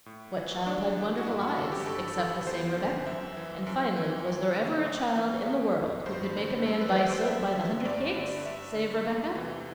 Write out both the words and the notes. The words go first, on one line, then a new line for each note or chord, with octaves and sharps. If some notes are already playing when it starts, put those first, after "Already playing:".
What child had wonderful eyes, except the same Rebecca? and finally, was there ever a child in the world who could make a man buy soap by the hundred cakes, save Rebecca?
A2
E3
A2 D4
E3
F#4
G2 E4
F#4
D3 A4
G4
G2 A4
E3
E2 C5
D3
F#2 E5
E3
F#2
E3
F#2
D3
A2
E3
A2
E3
G2 C5
D3
F#2 A4
B4
D5
E3 C5
C5
F#2 E5
D3
G2 D5
D3
G2 E5
D3
E2
C3 E3